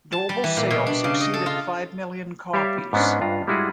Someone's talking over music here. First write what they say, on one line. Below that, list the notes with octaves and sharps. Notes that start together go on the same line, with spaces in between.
Global sales exceeded five million copies.
A5
G3
E3
A#2
B2
D4
C#3
D#5
A4
F4
G3 G4 C#5 E5 F5 G5
G#2 B3 C#4 D4
G2 F4 A#5
G3 G#3 E4 F#4 G#4